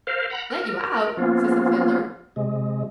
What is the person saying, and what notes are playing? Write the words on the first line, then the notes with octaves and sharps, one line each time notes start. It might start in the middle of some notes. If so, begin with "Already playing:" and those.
"Let you out?" says the Fiddler.
A#4 C5 F5
F#5 A#5 B5
A#4
F3 A#3 B3 C#4 F4
C3 G#3